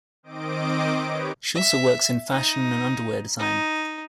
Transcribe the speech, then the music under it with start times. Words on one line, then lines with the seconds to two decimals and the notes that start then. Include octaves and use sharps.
She also works in fashion and underwear design.
0.23 D#3 C4 D#5 D6 D7
1.03 G4 B4 C#5
1.55 E5
2.30 D#4
3.39 D#4